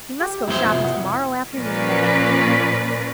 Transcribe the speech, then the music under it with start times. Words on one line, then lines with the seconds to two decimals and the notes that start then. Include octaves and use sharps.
We must go shopping tomorrow afternoon, Meg.
0.20 G4 G5
0.48 F2 B2 F#3 A#3 E4 C5 G#6
0.66 F1 C3 F3 B3 F#4
0.82 F#5 D#6
1.55 A#2 F3 C#4 A#4 B4 D5